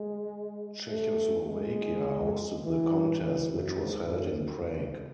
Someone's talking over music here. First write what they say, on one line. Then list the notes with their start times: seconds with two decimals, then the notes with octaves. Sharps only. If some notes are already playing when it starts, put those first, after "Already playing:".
Czechoslovakia hosted the contest, which was held in Prague.
Already playing: G#3
0.90 A3
1.48 G#3
2.64 E3
3.22 E3
3.51 F#2
3.79 G#2
4.08 F#2